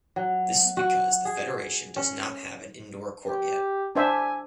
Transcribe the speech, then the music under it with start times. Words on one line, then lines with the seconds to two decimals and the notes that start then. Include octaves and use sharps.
This is because the federation does not have an indoor court yet.
0.16 F#3
0.77 F#4
1.25 G#4
1.96 C#4
3.28 G4
3.96 D4 C5 E5 G#5